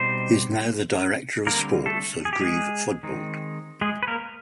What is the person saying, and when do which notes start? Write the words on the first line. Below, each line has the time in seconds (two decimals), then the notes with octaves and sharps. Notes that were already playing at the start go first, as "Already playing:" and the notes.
He is now the director of sports of Greve Fodbold.
Already playing: B2 G3 C4 D#4 C5
1.47 D3 G3 A#3 C4 A#4
1.86 A3 A4
2.25 G#4
2.33 G4
2.41 G#3 G#4
3.03 D#3 G#3 C4 D#4
3.81 G#3 G#4
4.03 B4
4.08 A#3 A#4